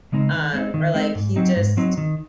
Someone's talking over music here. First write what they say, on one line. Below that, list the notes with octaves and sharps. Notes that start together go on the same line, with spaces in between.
um, or, like, he just
C#3 G#3 C4 D#4
D#3
G#3 C4 D#4
D#3
G#3 C4 D#4
G#2
F#3 C4 D#4
G#2
F#3 C4 D#4
D#3